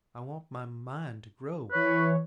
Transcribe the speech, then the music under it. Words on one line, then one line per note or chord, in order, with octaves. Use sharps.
I want my mind to grow.
E3 B4 C#5